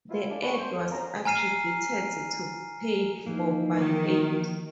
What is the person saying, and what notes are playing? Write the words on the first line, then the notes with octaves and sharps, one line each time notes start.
The ad was attributed to paid for by Ald.
E4 F4
D4 F4 G#4 A4 D5
D#2 D4 E4 G#5 B5 C#6
C5
F2
G2 B2 C#4 F4 A#5
G#5 A#5 F6 C7 D#7
E3 F3 A#3 D#4
D#3